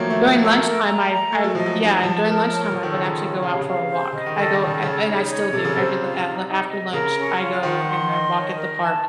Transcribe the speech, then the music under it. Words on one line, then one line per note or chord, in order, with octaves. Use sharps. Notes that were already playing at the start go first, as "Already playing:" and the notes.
During lunchtime, I I Yeah, and during lunchtime, I would actually go out for a walk. I go and and I still do every l af after lunch, I go and I walk at the park.
Already playing: D#3 F3 F#3 A3 A#3 C#5
A3
F#4
A#3
A4
A#3
A3 A#4
A#5
A#5
A3 A4
F#3
F3 D#5
F#3
D#4
F3 A5
A#4
C#5
F3 A4
D#3
C#3 F4
D#3
C#5
C#3 F5
C3
C#3 F5
C5
C#3 D#5
D#3
C#3 A4
D#3
A4
C#3
C#3 C#5
D#4
C#5
C3 A4
C#3
C3 C5
F4
D#4
D#4
D#5
C#3 A#4
C#4
F4
D#3 F#5
C6
D#5
C#5
A#4
A5